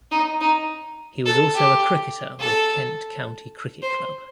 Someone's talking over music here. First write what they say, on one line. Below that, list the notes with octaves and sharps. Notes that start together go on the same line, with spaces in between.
He was also a cricketer with Kent County Cricket Club.
D#4
D#4
A4
G4
A4
C5